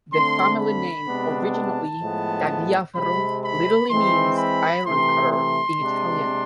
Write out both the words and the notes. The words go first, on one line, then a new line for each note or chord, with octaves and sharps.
The family name, originally "Tagliaferro", literally means "Ironcutter" in Italian.
D3 A3 C4 C6
B5
C3 G#3 B3 D4
A5
A2 F3 G#3 B3
C3 G#3 C4 B5
B5
E3 G#3 C4 C6
B5
C3 E3 A3 C6
C6
C3 G#3 D4